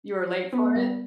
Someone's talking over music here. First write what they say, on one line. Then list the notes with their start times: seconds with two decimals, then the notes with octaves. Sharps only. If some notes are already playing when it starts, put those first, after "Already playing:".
You were late for it?
0.53 B3
0.76 G3